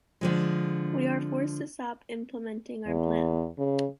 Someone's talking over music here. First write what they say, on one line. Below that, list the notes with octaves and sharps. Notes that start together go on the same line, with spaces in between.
We are forced to stop implementing our plan.
D3 F3 G#3
E2
C#3